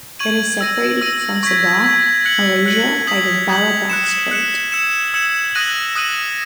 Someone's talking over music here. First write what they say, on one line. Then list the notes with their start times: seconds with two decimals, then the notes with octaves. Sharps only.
It is separated from Sabah, Malaysia, by the Balabac Strait.
0.19 C#6 G#6 D#7 F#7
0.61 E6 A#6 D#7
1.02 E6 A#6 D#7
1.43 C#6 G#6 B6
1.84 C#6 G#6 B6
2.25 F#6 C#7 F#7
2.66 F#6 C#7 F#7
3.07 D#6 G#6 B6 F#7
3.49 D#6 G#6 B6 F#7
3.90 F#6 C#7 E7
4.31 F#6 C#7 E7
4.72 E6 G#6 C#7 E7
5.14 E6 G#6 C#7 E7
5.55 D#6 F#6 A#6 D#7 F#7
5.96 D#6 F#6 A#6 D#7 F#7